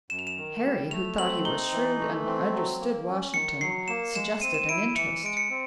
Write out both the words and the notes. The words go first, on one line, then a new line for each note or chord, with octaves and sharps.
Harry, who thought he was shrewd and understood Washington, suggested an interest.
F#2 E7
F7
E7
D#3
G3
A3 F7
C4 F#7
D#4 G7
E3
A3
C4
F#3
A#3
C#4
D#3 C#7
F#3 C7
A#3 E7
G#3 E7
C4 D#7
E7
D#7
E4 D7
E3 C#7
G#3 D7
C#7
C4